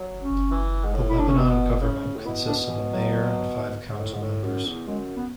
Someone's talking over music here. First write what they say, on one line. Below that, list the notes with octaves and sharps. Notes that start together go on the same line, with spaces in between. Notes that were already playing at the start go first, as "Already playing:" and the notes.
The Lebanon government consists of a mayor and five council members.
Already playing: F#3
C#4
E3
G#2
A2
E4
D4
C#4
B2 B3
C#3
A2
B2 E4
D4
E3
F#3
G#2
A2
G#2
A2
F#2
E2
F#2 G#3
B3